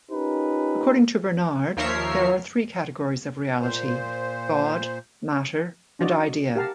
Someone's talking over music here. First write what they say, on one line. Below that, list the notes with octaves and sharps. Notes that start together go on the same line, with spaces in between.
According to Bernard, there are three categories of reality: God, matter, and idea.
C#4 D#4 F4 G4 A#4 B4
D#2 F3 A#4 C#5 E5 C7
A#2 C5
D4 F#4 D5 D#5
G4 A#4 F5 F#5 A5 A#5